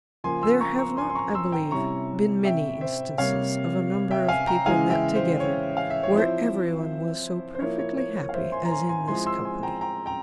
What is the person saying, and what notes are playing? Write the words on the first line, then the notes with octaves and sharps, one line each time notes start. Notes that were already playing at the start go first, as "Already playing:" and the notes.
There have not, I believe, been many instances of a number of people met together, where every one was so perfectly happy as in this company.
C#3 F3 A#3 G#5 C6
C6 E6
A#5 C#6
A#5 C#6
G#5 C6
C6
A#5 C#6
C6 E6
G5 A#5
C3 G3 C#4 E4 A#5 C#6
E5 G5
C5 E5
C3 G3 A#3 C#5 F5
E5 G5
F5 G#5
G5 A#5
C#3 E3 G#3 E4 F5 G#5
E5 G5
C5
C#5
F5
E5
C#5
F3 C4 E4 C5 E5
C5
F3 A#3 E4 C#5
C#5
C#5
C#5
F5
C5 E5
G#5 C6
A#5
G#5 C6
G#5 C6
F3 G#3 C4 E4 G#5 C6
C6 E6
G#5 C6
G5 A#5
G5 A#5
G5 A#5